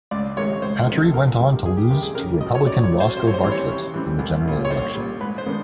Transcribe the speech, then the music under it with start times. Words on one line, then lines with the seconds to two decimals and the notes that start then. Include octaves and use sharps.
Hattery went on to lose to Republican Roscoe Bartlett in the general election.
0.11 C#2 D5
0.37 C3 D#3 G#3 C#5
0.62 C#2 C5
0.88 C3 D#3 G#3
1.04 A4
1.14 F2 A#4
1.39 C3 D#3 G3
1.64 F2 G#4
1.77 G4
1.90 C3 D#3 G3 G4
2.03 G#4
2.15 C#3 A#4
2.41 F#3 A3 D#5
2.55 C#5
2.67 C#3 D5
2.83 C#5
2.92 F#3 A3
3.00 C5
3.17 C3 C5
3.27 C#5
3.34 C5
3.43 E3 G3 C4
3.52 C#5
3.68 C3
3.94 E3 G3 C4
4.19 C2
4.45 A#2 G3
4.65 C#5
4.71 C2 C5
4.95 A#2 G3
5.21 G#2 B4
5.38 C5
5.46 D#3 G#3 B3 D4